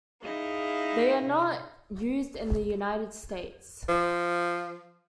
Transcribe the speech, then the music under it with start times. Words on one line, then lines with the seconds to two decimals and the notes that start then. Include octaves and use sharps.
They are not used in the United States.
0.21 D#4 E4 G#4 D#5 F5
3.89 F3